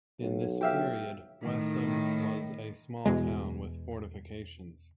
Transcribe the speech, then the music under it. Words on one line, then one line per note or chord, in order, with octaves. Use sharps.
In this period Wessem was a small town with fortifications.
B1
G4 E5 F5
A2 D#3
E2 B2 G#3